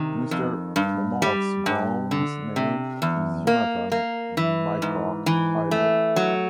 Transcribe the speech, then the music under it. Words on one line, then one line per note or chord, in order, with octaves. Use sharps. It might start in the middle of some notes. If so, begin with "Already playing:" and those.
Mr. Mommaerts-Brown's name is Yonathan Micah Hillel.
Already playing: C3 D#3
F2
G2
G3
G2
D3
C3
E2
A#3
A#3
E3
G#2
E3
A3
F#3